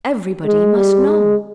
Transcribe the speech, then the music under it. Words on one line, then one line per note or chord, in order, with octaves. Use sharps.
Everybody must know.
G#3
G3
G#3